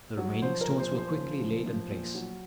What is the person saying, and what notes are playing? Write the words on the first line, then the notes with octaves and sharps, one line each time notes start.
The remaining stones were quickly laid in place.
F#3
F3 C5
A#4
A#2
C5
F3
C5
C#3
F3
F3
A#2
F#3